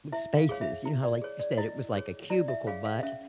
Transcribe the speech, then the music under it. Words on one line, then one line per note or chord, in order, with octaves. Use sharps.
spaces, you know, how, like, you said it was like a cubicle, but,
E4 E5
F5
G#4 C#5 F5
E5
E4
D5
G#4 C#5
D5
E4 D#5
G#4 C#5
E4 D5
E5
G#4 C#5 F5
F5
C#4 E5